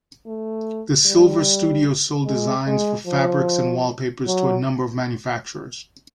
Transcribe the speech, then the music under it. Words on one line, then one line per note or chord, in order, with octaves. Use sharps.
The Silver Studio sold designs for fabrics and wallpapers to a number of manufacturers.
A3
G3
G#3
G#3
F3
F#3